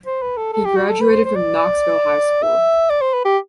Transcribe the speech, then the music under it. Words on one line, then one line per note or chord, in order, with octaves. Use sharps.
He graduated from Knoxville High School.
C5
B4
A4
A4
G4
F#4
A4
B4
C5
C5
D5
E5
D5
C5
B4
G4